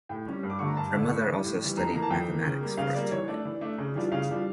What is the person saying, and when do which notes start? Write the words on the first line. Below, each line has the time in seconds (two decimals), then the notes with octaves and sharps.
Her mother also studied mathematics for a time.
0.09 A2 G5
0.26 G3 C#4
0.43 G2
0.50 D6
0.59 D3 A3 D4 C#6
0.68 A#5
0.77 G2 A5
0.93 D3 A3 D4
1.10 A2 C#6
1.26 E3 G3
1.44 A2
1.60 E3 G3
1.77 F2 A#5
1.93 E3 A#3 A#5
2.02 A5
2.10 F2 G5
2.27 E3 A#3
2.44 C#3
2.61 G3 A#3
2.77 C#3 F5
2.94 G3 A#3 D5
3.11 E3 C#5
3.28 A3 D4 D5
3.45 E3
3.61 A3 D4
3.78 C#3
3.95 E3 G3 D4 F4
4.12 C#3 F5
4.29 E3 G3 D4 F4